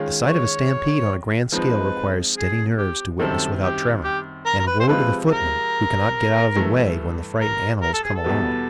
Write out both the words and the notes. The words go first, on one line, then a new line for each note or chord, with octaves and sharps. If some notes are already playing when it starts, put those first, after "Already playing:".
The sight of a stampede on a grand scale requires steady nerves to witness without tremor; and, woe to the footman who cannot get out of the way when the frightened animals come along.
Already playing: D#3 G#3 C#4 F4 G#4
C#5
F3 G#3 C4 D#4 B4
G#4
G4
F#2 D#3 G3 C4 A4
G4
G4
A#4
A#4
B4
C5
C3 F3 G#3 C4 F4 B4
A#4
G2 E3 A3
A#4
A#4
A4
G#4
A4
E2 B2 G3 B3